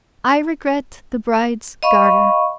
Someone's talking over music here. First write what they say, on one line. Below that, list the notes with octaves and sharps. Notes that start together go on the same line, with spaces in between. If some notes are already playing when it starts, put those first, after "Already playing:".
I regret the bride's garter.
D#5 F5 B5 C#6